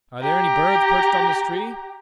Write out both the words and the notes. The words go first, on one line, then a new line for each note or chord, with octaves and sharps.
Are there any birds perched on this tree?
G4 A#5